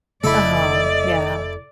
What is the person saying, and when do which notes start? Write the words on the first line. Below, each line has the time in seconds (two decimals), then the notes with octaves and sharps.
uh-huh, yeah
0.24 F1 C#3 A3 E4 A4 D5 D#5